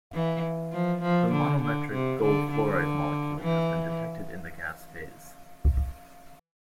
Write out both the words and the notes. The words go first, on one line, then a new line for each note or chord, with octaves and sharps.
The monomeric AuF molecule has been detected in the gas phase.
E3
F3
F3
D3
D3
C3
D3
D3
E3